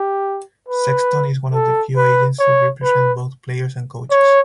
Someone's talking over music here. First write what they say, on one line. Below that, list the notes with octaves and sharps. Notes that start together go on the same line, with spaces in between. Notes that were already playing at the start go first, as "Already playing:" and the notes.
Sexton is one of the few agents to represent both players and coaches.
Already playing: G4
B4
A4
B4
C#5
B4
C#5